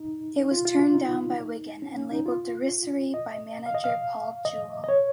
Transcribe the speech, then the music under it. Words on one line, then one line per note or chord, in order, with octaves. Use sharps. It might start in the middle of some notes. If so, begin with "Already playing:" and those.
It was turned down by Wigan and labelled "derisory" by manager Paul Jewell.
Already playing: D#4
F4
F4
F4
D#4
C#4
C#4
D#4
F4
D#5
F5
D#5
F5
D#5
D#5
C#5